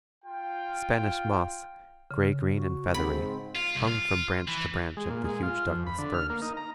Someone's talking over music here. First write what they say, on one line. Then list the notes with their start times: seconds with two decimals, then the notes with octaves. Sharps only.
Spanish moss, grey-green and feathery, hung from branch to branch of the huge Douglas firs.
0.23 F4 G5
2.11 C#3
2.56 F#4
2.94 G#2 C4 B5
3.56 F4
3.75 C2
3.88 F4
4.48 E3
4.97 G#3
5.09 A#2
5.25 G#3
5.43 F4
5.67 F2
5.87 B5
5.98 D3
6.14 F6
6.30 A#3
6.42 D#4
6.57 A#5